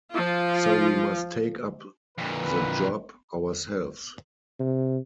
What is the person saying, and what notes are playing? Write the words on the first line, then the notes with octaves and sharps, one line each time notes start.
So we must take up the job ourselves.
F3 F4
F2 A#2 D3 E3 B4
C3